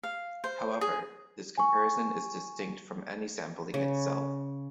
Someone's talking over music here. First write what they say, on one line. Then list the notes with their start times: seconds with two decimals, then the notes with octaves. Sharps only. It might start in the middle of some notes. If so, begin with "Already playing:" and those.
However, this comparison is distinct from any sampling itself.
0.03 F5
0.44 C5
0.81 G#4
1.58 G#5 C#6
3.74 C#3